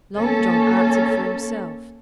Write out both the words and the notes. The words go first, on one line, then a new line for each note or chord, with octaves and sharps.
Long John answered for himself.
A#3 C#4 A4